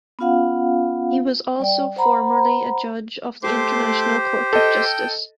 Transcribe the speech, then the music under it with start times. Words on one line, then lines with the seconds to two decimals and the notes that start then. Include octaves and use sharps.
He was also formerly a judge of the International Court of Justice.
0.19 B3 C#4 F4 F5 F#5
1.60 G3 D5 G5
1.96 C5 F#5 A#5 B5
3.43 A3 G4 C5 C6 D6
4.53 A4 D#5 G5